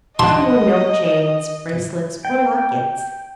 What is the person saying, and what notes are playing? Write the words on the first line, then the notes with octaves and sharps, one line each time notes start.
She wore no chains, bracelets or lockets.
D#5 F#5 A5 C6
G5